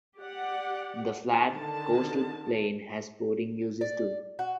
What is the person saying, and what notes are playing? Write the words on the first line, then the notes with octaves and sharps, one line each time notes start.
The flat coastal plain had sporting uses too.
G4 D5 F#5
D3 D#3 A5
D5
F#4